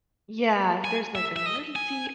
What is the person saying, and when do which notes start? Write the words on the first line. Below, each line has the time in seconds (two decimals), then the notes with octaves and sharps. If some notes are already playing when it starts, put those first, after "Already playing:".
yeah, if there's, like, an emergency
0.84 G#5
1.15 E5
1.36 E5
1.46 D#5
1.76 G#5